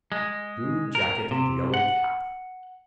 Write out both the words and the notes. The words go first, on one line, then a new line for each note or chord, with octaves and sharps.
Blue jacket and yellow cap.
G#3
A#4
C3
F#5